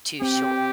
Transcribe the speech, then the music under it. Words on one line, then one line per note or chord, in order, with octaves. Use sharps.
too sure,
C4 G4